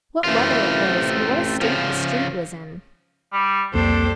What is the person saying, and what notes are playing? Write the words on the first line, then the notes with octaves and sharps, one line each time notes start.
What weather it was, and what a state the street was in!'
F#2 C3 E3 A3 F4
A1 C3 C4
C#3 F3
G3
C2 F2 G3 A#3 D4 A4 C5